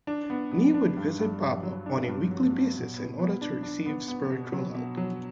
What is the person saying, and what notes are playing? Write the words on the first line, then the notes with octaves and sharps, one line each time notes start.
Nee would visit Barber on a weekly basis in order to receive spiritual help.
D4
B3
B3
D4
G2
G2
G2
F#3
D4
G2
F#3
F#3
B2
B3
B3
D4
D4
B3
B3
B2
F#3
B2
F#3